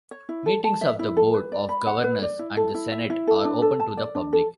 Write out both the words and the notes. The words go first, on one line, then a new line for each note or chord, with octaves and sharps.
Meetings of the Board of Governors and the Senate are open to the public.
C#5
E4
A4
A5
E5
E4
A4
B4
D5
B5
F#5
B4
D5
E4
A4
E4
E5
E4
A4
D4
A4
A5
D5
D4
A4